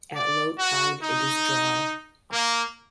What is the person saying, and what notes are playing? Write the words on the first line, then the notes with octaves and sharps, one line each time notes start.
At low tide it is dry.
D5
F#4
D#4
A#3